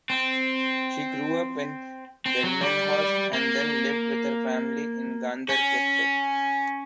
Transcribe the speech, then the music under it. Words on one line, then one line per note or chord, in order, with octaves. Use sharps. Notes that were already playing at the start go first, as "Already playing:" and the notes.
She grew up in Delmenhorst and then lived with her family in Ganderkesee.
C4
C4
F#3
G3
A#3
C#4